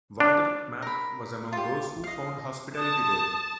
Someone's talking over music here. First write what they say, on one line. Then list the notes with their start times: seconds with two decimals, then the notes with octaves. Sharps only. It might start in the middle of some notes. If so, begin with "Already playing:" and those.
Walter Map was among those who found hospitality there.
0.20 D4
0.82 A#4 B5
1.53 F4 G4
2.04 D#5 F5
2.77 A5 D#6